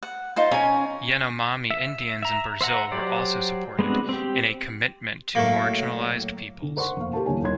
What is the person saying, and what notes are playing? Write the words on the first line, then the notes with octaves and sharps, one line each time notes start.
Yanomami Indians in Brazil were also supported, in a commitment to marginalized peoples.
F#5
D#4 F4 C5
C#4 G#5 A#5
E5
E5 A#5
C5 E5 F#5 A#5
F#3 G4 C5 D5
G#3 B3 C4 D4 F#4
C4 G4
A2 F#3 A3 A#3
D3
A#4 C5 F#5 C6 C#6
F1 A#3 F5
G4 A#4 A5
D#1 D3 E3 A#3 C#5 G#5
D#1 D#4 C#5 C6 G#6